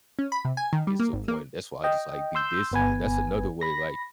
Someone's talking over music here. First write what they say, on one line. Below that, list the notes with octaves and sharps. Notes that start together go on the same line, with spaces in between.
gets to a point, that's why I just like be distant, and that's another way, like,
C#4
B5
C3
G#5
D#3
G3
A#3
G#1
A#3
D#5 G5
C6 E6 G6
G1 B3 B4 G#5
B5 A#6